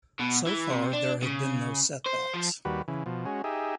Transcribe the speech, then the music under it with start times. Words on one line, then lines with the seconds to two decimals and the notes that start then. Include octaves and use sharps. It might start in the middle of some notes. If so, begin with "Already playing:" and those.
So far, there have been no setbacks.
0.20 B2
0.47 E3
0.70 C3
0.93 D4
1.23 C#3
2.06 C5
2.34 F3
2.65 D#2 G3 F#4 B4
2.88 C#3 E3
3.06 B2 F3
3.26 G#3 C#4 F#4
3.44 D#4 G4 G#4 E5